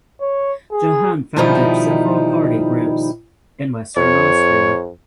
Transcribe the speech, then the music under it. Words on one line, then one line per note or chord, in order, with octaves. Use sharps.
Johann founded several Party groups in western Austria.
C#5
G#4
B2 D#3 F3 G3 D#4 E4
F2 C#5